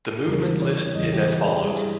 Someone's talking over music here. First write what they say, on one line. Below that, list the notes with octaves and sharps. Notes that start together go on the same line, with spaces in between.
The movement list is as follows.
G#4
E2 C#3 E3 G3 A#4
C#5
C#5
E2 C#3 E3 G3 D#5
G4
G#4
G4
G2 E3 G3 G#4